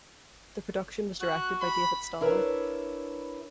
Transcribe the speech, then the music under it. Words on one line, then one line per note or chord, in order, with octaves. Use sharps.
The production was directed by David Staller.
F#4 F#6
B5
D4 E4 A#4 B4 C#5